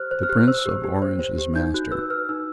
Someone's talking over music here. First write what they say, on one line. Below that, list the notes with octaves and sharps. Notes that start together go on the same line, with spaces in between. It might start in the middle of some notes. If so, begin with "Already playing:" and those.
The Prince of Orange is master.
Already playing: G4 C5 F6 F#6
C5 F#6
F6
G4 F#6
C5 E6
G4
G4
C5
C5
G4
D#4 G6
F#4 F#6
B4 E6
B4 F6
D#4 E6